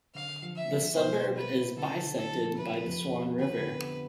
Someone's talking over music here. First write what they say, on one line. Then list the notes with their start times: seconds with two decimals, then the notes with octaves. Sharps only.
The suburb is bisected by the Swan River.
0.15 D3 F5
0.42 F3
0.56 E5
0.69 D3
0.96 B2 C5
1.23 B2
1.36 B4
1.50 E4
1.76 D3 A4
2.04 D3
2.17 A4
2.31 F3
2.57 C3 B4
2.85 F2
3.12 C3
3.39 D3 B4
3.66 B3